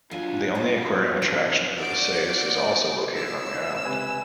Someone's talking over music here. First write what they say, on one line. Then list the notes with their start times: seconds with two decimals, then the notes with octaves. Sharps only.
The only aquarium attraction in the Visayas is also located on the island.
0.11 D2 F#3 D4 F4 G#5
0.55 F2 F4 F#4
0.87 F#3
1.22 E2 C3 D4
1.78 F#4 D5 G6 D7
3.15 E6
3.85 C#2 C3 B4 G#5